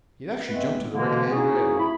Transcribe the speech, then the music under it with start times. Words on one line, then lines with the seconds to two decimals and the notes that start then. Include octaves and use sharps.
He'd actually jumped to the right-hand rail.
0.47 G#3 A3 B3 C4 B4
0.92 B2 D3 E3 G#3 A#3
1.30 A#3 C#4 D#4 E4 F#4 G#4
1.78 E4 B5